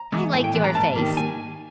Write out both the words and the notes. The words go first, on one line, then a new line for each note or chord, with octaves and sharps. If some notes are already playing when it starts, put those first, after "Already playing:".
I like your face.
Already playing: A#5
E3 G#3 B3
A2 G#5
G5
E3 G#3 B3
A#5
G#2 A5
D#3 G3 A#3
G#5